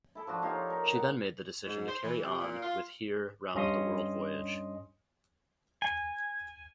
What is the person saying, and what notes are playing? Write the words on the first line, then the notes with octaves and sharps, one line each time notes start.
She then made the decision to carry on with here round the world voyage.
E4 A4
F3 D4 F#4
D#4 F4 G4 C#5
A#4
F#5
G#2
C5
E3
C3
A#2
F4
G2 C#4 D#5 C6 D#6
G#5